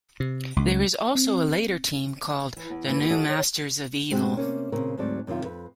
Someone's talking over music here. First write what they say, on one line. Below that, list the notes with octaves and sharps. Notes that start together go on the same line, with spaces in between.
There is also a later team called the New Masters of Evil.
C3
C#2
C4
E3
E2
E3 A#3 C4 D#4 E4
A#3 B3 E4 G4
F4 G4 A4 D#5 E5 F#5
C#5
G#2 G#3 C4 D4 F#4 G4
C3 A#3 C#4
A#2 C#3 C4 A#4
D2 G#2 F#3 C4 D5
F#2 C3 D#3 F4
F2 B4